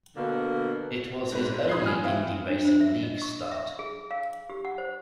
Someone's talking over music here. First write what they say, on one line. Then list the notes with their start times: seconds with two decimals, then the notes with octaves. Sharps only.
It was his only Indy Racing League start.
0.15 B2 D3 A#3
1.32 G#2 B4
1.69 B5 D#6 G#6 C7
1.84 G#5 F6
2.04 E3 C4 F4
2.48 D4
2.65 C5
2.81 E5
3.03 D#5
3.22 C#6
3.51 E5
3.79 G#4
4.11 F5
4.50 G4
4.65 F#5
4.78 C5